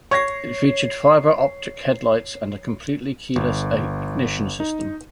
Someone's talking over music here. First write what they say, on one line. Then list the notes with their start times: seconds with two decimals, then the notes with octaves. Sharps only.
It featured fiber optic headlights and a completely keyless ignition system.
0.11 C#5 C#6 G#6 A#6 C7
3.36 G1
4.60 D#4